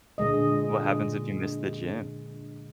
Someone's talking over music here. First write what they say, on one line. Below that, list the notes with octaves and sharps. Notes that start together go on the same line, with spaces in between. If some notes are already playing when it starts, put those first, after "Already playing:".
What happens if you miss the gym?
A#2 D3 G#3 D#5